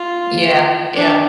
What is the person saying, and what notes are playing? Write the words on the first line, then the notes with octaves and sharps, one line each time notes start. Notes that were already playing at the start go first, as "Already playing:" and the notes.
Yeah, yeah.
Already playing: F4
D4